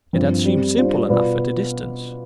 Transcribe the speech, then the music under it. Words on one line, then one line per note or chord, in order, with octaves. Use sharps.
It had seemed simple enough at a distance.
G2 F3 C4
G3 C4 G4
G3 D4 F4 C5
B2 B3 F4 B4 D5